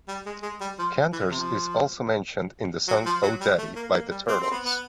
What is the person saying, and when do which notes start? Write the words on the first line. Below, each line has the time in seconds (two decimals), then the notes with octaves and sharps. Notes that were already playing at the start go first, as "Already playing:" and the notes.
Canter's is also mentioned in the song, "Oh Daddy," by The Turtles.
0.08 G3
0.26 G#3
0.43 G#3
0.61 G3
0.79 F3
1.13 E3
1.31 C3 F3
2.88 F#3
3.06 F3
3.23 F#3
3.41 G3
3.58 A3
3.76 A#3
3.93 A#3
4.11 G3
4.28 C4
4.41 C4
4.51 B3
4.65 B3